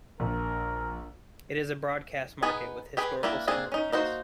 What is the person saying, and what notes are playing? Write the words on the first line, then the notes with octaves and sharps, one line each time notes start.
It is a broadcast market with historical significance.
A#1 A#4
B3 D#4 G#4 G#5
G4 G#4 B4
A#3 D4 E4 G4 A#4
A#3 C4 D4 G#4
C#4 D#4
A#3 D#4 F#4 C5